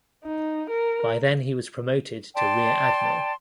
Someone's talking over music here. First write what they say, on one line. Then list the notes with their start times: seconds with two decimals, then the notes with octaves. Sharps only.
By then he was promoted to rear admiral.
0.24 D#4
0.70 A#4
2.35 D5 G5 A5 C6